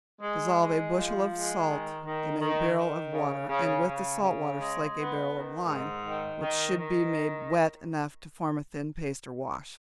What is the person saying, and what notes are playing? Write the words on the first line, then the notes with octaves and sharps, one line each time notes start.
Dissolve a bushel of salt in a barrel of water, and with the salt water slake a barrel of lime, which should be made wet enough to form a thin paste or wash.
G#3
G#3
F3
G#3
D#3
D#3
D#3
D#3
C#3
C#3
C#3
C#3
G#3
B3
D#3
G#2
D#3
D#3
D#3